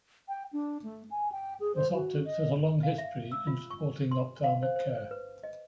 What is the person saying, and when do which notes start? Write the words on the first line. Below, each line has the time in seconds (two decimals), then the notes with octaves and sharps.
Orthoptics has a long history in supporting ophthalmic care.
0.29 G5
0.53 D4
0.83 A3
1.11 G#5
1.32 G5
1.60 G#4
1.75 C5
1.94 F#4
2.25 D#5
2.83 F5
2.98 E5
3.32 E6
3.47 F4
3.71 C#6
4.11 C6
4.44 F5
4.63 C5
4.76 C5
5.11 B4
5.43 D#5